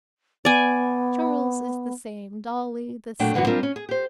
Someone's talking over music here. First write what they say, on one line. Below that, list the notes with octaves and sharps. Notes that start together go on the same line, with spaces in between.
Charles is the same, Dolly the same.
B3 D5 G#5
A#2 F#3 A3 D4 G5
F#2 D3 E3 B3 F#4
G3 C4 D4 F4 A#4
C#4
G#4
G4 C5